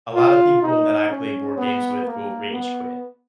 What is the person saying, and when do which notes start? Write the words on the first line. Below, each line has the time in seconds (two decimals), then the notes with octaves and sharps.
a lotta people that I play board games with will rage quit,
0.15 F4
0.62 D#4
1.10 C#4
1.58 B3
2.05 A#3
2.52 B3